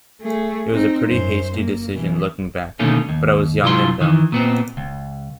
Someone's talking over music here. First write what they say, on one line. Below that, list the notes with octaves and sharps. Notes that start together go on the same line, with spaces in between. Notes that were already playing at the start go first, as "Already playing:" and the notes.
It was a pretty hasty decision, looking back, but I was young and dumb.
A3 G#4
C4 D#4
F#2 C5
A#3
B2 E3
B2 D3 D#3 A3 A#3 C#4
D#2
C3 F#3 E4 F4 C6
D#3 E3
A#2 B3 C4
C#2